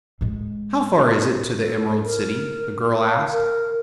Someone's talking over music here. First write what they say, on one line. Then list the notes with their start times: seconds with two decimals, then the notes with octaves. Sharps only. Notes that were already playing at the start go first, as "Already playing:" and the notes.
"How far is it to the Emerald City?" the girl asked.
0.21 A2 G#3
1.59 A4
2.04 A#4
3.08 F5
3.31 A#4